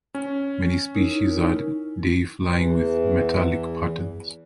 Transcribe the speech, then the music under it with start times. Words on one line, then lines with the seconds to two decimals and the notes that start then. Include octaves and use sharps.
Many species are day-flying with metallic patterns.
0.15 C#4
0.95 D#4 E4 A#4
2.50 E2 E3